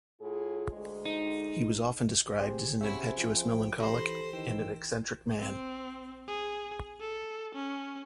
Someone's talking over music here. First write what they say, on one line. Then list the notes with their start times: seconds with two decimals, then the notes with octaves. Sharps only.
He was often described as an impetuous melancholic and an eccentric man.
0.20 A2 F4 G#4
0.71 D2 G#3
1.05 D#4
2.40 C4 G4 G#4 C5
2.81 C3 C4 C#4 E4 F#4 G#4 C5 E5
3.17 F3 G5
3.80 E3 G4 A4 C5 B5 C6 A#6
4.33 D#3 E3 G5 E6
5.39 C4
6.27 G#4
7.00 A4
7.55 C#4